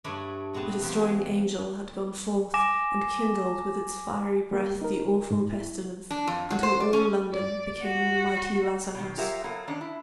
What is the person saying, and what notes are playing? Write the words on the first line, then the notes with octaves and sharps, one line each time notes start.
The destroying angel had gone forth, and kindled with its fiery breath the awful pestilence, until all London became one mighty lazar-house.
G2 A3 D4 C#5 B5
A#2 G#3 B3 C4 A5
E2 F3 G4
G#5 D6 A#6 E7
G3 A#3 G4
D#4 A#4
G#2
E4
D4
F2
F#3
C5
D5
C#4
D5
F#4
C3
B2 D#3
F4 G4 A#4 C#5 E5 F#5
F#3 A#3 B3 A4
D#3 C#4 D4
E4